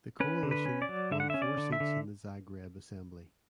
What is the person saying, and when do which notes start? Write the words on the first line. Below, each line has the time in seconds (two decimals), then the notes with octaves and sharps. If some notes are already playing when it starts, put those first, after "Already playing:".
The coalition won four seats in the Zagreb Assembly.
0.20 C#4 B4
0.43 D3
0.51 B4
0.65 C#4
0.82 D5
0.89 F#3
1.12 D3 E5
1.20 F#5
1.30 C#4 E5
1.42 D5
1.57 D3
1.72 E5
1.80 D3